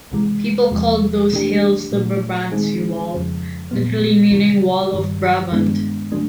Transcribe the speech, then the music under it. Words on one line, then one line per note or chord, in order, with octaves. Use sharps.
People called those hills the "Brabantse Wal", literally meaning "wall of Brabant".
C#2 C3 E3 G#3
E2 C3 F3 G#3
C3 E3 A3 D4 G4
A#2 F#3 A3
D#3 G#3 C4 D#4 G#4
F2 C#3 F3
A#2 F#3 B3
C#2 C#3 E3 G3
G2 D#3 G3
G2 D#3 G#3 B3 D4
D3 F#3 A3 D4